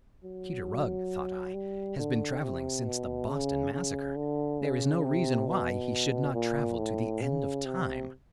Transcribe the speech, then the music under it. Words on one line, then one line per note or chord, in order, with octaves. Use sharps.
If Peter Rugg, thought I, has been travelling since the Boston Massacre, there is no reason why he should not travel to the end of time.
F#3
G3
D3
C3
B2
C#3
C#3
D3
C#3
C3
B2
A#2
A2
C#3
C3